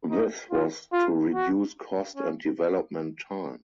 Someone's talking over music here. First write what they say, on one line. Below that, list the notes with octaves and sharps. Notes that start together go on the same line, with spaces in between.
This was to reduce cost and development time.
D#4
F4
F4
F#4
C#4